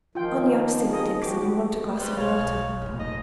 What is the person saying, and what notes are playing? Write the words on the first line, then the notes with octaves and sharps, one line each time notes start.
Only I'm silly, Dixon, and want a glass of water.
D#3 F3 F4 G5
G#4 D#5
D#2 F3 F#4 G4 D6
G3 B4 C5
B1 C#5 F5
F1 A#2
D#5